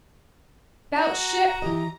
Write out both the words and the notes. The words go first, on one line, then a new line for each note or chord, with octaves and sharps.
Bout ship.
F#4 A#5
E3 G4 D#5